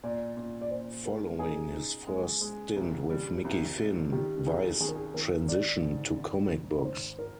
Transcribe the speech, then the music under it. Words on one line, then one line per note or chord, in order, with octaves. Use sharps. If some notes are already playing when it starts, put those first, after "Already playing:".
Following his first stint with "Mickey Finn", Weiss transitioned to comic books.
A#2 D5
A#2
D5
A#2 C5
G#3 A#4
D#4 G#4
D#4
G#3
G#3
C2
G3
C2
C2
D#3 G4
C2 G#4
D#3 G#4
A#4
G#4
D#3 A#4
G#1 D5
G#2
G#1
G#1
G#1 C5
A#4